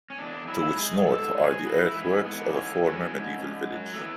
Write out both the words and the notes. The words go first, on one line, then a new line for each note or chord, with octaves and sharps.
To its north are the earthworks of a former medieval village.
C#4
E2 D4
F#3 E4
G#2 G#4
G#4
G#2 A4
F#3 G#4
E3 F#4
E4
G#2
C#4
G#2 B3
D4
E3 C#4
F#3 C#4
G#2
G#2
F#3
A3
E3 B3